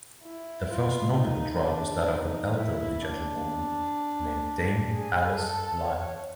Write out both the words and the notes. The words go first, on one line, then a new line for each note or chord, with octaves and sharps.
The first notable trial was that of an elderly gentlewoman named Dame Alice Lyle.
E4
F4
D#4
D4
D#4
E4
D4
G#4
A4
C#5